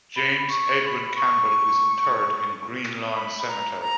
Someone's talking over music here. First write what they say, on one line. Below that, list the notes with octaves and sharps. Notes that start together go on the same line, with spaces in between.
James Edwin Campbell is interred in Green Lawn Cemetery.
B5
C#6
C#6
B5
C#6
B5
A#5
A#5